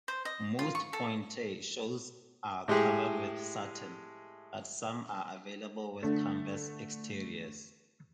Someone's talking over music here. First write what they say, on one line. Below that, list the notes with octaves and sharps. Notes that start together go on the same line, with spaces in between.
Most pointe shoes are covered with satin, but some are available with canvas exteriors.
C5
D#5
F4
C#6
A4
A2 G#3 G4 G#4
D3 A3